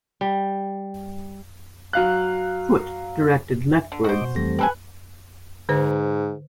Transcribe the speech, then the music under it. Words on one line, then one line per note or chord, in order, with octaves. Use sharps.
Foot directed leftwards.
G3
F#3 F5 F#6
D3
F#4 C5 D#5 D6
B2
F2 E3 G3 A3 C4 A#6
G4 A4 B4 G#5 B5 F#6
G#2 D3 C5